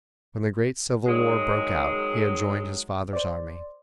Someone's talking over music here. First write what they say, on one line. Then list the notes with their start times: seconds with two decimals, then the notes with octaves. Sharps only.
When the great Civil War broke out he had joined his father's army.
1.06 D#3 F#3 G#3
3.13 C5 D5